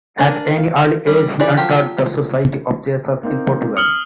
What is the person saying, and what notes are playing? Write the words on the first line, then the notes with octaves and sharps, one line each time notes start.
At an early age he entered the Society of Jesus in Portugal.
A#3 D4 G#5
F5
G3 C#4
E3 G4 G#4 D5
F3 F#3 G4
A#3 C4 D#4
D#6 F6 C#7 F#7